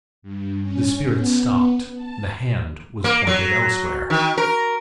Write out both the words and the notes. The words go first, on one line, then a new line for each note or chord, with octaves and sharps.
The Spirit stopped; the hand was pointed elsewhere.
G2
C#4
B3
A5
A#3
F#3
D#3
A#4